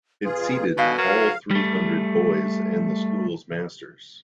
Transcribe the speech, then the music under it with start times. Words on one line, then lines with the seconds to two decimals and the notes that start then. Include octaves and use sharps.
It seated all three hundred boys and the school's masters.
0.24 F2 F4 G#4 B4
0.77 G#2 B2 D3 D#3 G3 F5 G#5
0.98 F#3 A#4 F5
1.51 G3 A3